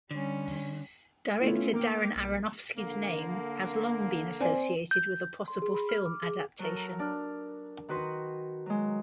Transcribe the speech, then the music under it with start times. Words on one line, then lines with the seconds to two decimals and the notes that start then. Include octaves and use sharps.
Director Darren Aronofsky's name has long been associated with a possible film adaptation.
0.11 D3 G3 C#4
1.39 A3 B3 C#4 E4 F4
1.73 A#3 G5 D6 F6
2.15 B1
2.76 D3 A#3
4.40 C4 D5 G#5
4.91 G6
5.48 C6
5.62 G#4
5.74 B5
5.89 F6
6.06 D6
6.23 G#4
6.59 F#3 F#4 A4 A#4
6.99 D4 F6
7.89 D#3 F#4 B4 C6
8.66 F#3 G#3